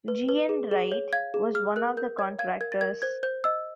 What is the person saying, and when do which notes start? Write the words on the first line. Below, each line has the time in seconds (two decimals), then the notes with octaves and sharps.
G. N. Wright was one of the contractors.
0.08 B4
0.29 B4
0.49 G#4
0.71 G#4
0.92 C#5
1.13 F5 G#6
1.34 G#4
1.54 G#4 F6
1.76 A#4 F#6
1.97 A#4 G6
2.18 C#5 G#6
2.39 F5 G#6
2.61 A#4 G#6
2.72 A6
2.81 A#4 G#6
3.02 C5 G#6
3.23 C5 G6
3.44 D#5 E6